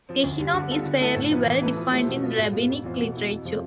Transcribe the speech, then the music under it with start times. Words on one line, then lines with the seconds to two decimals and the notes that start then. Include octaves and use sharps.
"Gehinom" is fairly well defined in rabbinic literature.
0.09 F3 C4
0.24 D2
0.39 D3 G3
0.54 D3
0.70 G3 B3 F4 A4
0.86 D3
1.00 A3 E4 A4
1.16 A2
1.30 F3 B3 E4 B4
1.46 E3
1.62 A3 E4 B4
1.76 F3
1.92 A3 E4 G4 C5
2.07 B2
2.22 B3 F4
2.38 A2
2.53 G3 B3 F4
2.69 F2
2.84 E3 B3 F4 C5
2.99 B2
3.14 B3 E4
3.30 F2
3.45 C3 F3 C4 F4